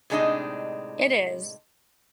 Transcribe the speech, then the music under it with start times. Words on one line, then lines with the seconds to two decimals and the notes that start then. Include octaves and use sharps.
it is.
0.10 A2 C3 G#3 D4 D#4 D#5